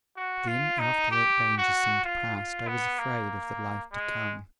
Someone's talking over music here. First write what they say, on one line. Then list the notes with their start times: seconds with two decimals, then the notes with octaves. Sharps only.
Then after that danger seemed past, I was afraid of the life to come.
0.17 F#4
0.48 F4
0.79 D#4
1.11 G4
1.58 F#4
2.05 F4
2.36 F4
2.68 B3
2.99 A#3
3.92 G#3